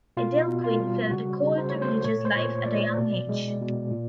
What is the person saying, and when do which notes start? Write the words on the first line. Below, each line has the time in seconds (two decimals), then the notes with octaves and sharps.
Edel Quinn felt a call to religious life at a young age.
0.17 B2 F4
0.48 B2
0.64 F4
0.80 G3
1.11 C#3 F#4
1.42 C#3
1.58 C5
1.70 A3 C#5
1.82 C5
2.04 A#2 C#5
2.25 C5
2.35 A#2 C#5
2.66 A#2 D5
2.98 B2
3.29 G#3
3.61 B2
3.91 A#2